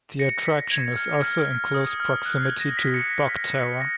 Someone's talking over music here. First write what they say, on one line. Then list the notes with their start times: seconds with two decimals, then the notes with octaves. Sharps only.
The attraction is also in close proximity to Bok Tower.
0.19 A#6 C#7
0.45 B6
0.71 G#6
0.96 F6
1.22 F6
1.39 F6
1.74 D#6
2.00 F6
2.25 F#6
2.43 G#6
2.60 A#6
2.77 B6
2.94 A#6 C#7
3.11 B6
3.29 B6
3.63 B6
3.81 A#6